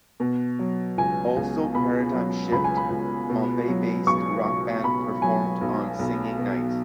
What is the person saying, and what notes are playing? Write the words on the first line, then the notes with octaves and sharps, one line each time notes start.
Also Paradigm Shift, Mumbai based rockband performed on singing night.
B2
F#3
C#2 G#5
C#2
B2 B5
F#3
C#2 B5
G#5
B5
C#2
B2
F#3
B1 C#6
B1
B2 B5
F#3 G#5
B1
B1
B2